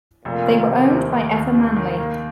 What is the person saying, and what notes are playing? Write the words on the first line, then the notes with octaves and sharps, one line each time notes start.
They were owned by Effa Manley.
F1 A#2
D#3
F1 C3
D#2
D#2
D#2
D#2
D#3
A#3